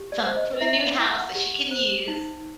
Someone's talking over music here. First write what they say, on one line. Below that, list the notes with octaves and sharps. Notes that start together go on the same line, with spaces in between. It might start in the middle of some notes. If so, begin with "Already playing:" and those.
Something for the new house that she can use.
Already playing: G4
D5
C5
D#5
E4 E5
F5
E4
F#5
G4
C5
D#4